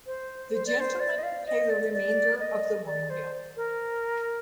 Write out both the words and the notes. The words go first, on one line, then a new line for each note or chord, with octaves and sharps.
The gentlemen pay the remainder of the wine bill.
C5
C5
D5
C5
D5
D#5
F5
D#5
D5
D5
D#5
D5
C5
A#4